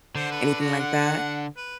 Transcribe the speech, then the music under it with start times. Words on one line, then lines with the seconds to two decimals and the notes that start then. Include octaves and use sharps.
anything like that?
0.15 D3 C5
0.32 B4
0.61 F#4
0.80 F#5
1.57 B4